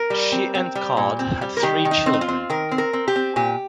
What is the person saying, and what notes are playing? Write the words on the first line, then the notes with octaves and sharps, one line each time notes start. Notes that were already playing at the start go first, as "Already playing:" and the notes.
She and Card had three children.
Already playing: A#4
G3
C4
C4
G3
A#2
C4
G3
A#4
D#3 G4
D#3
D#4
C4
D#4
F4
C4
D#3 A#4
C4
A#4
C4
G4
C4
A#2 G4